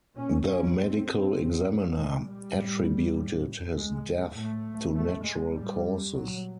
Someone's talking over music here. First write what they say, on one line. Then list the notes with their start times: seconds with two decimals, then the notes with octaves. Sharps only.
The medical examiner attributed his death to natural causes.
0.15 A#2 C#4
0.45 C#4
0.75 A2 C4
1.35 A2
1.95 A#2 G#3
2.25 G3
2.54 A2
3.15 A2
3.74 A2 G#3
4.34 A2 A3
4.95 A2 A3
5.24 G#3
5.54 A2 G3
6.14 A#2 F#3